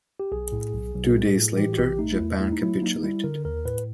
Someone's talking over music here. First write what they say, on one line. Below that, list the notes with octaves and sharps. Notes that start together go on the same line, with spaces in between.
Two days later, Japan capitulated.
G4
B1 G#4
A2
B1
B1
A2
A2
E3 G4
F#4
A#1 G4
A3 D#4
E4
E2
A3 E4
D#4
F#3 E4
A#3 D#4
G3 E4
D3 A#4
D#2 A#4
A2 B4